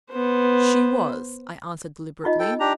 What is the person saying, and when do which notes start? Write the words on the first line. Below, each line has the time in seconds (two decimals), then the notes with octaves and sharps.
'She was,' I answered, deliberately.
0.11 B3 C5
2.24 D#4 F4 D#5
2.40 A4 G5
2.60 D4 G4 A#5